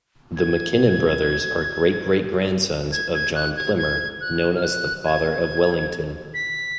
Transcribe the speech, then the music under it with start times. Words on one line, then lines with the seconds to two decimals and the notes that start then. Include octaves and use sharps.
The McKinnon brothers are great-great-grandsons of John Plimmer, known as the "father of Wellington".
0.37 G#6
2.92 G#6
3.14 G#6
3.35 F#6
3.57 G#6
3.78 G#6
4.21 F#6
4.55 F6
4.64 F#6
5.06 G#6
6.34 B6